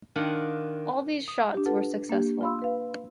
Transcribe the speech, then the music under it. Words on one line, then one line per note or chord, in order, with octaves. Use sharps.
All these shots were successful.
D#3 D4 F4 F#5
D#6
D4 G4
F4 A4 B4 F#5 A5
A#3 D4 G4
F4 F5 B5 C6 E6
B4 F5